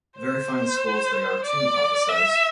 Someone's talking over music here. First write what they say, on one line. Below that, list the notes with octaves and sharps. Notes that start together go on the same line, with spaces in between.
Very fine schools they are, too, papa says.
C5
D5
E5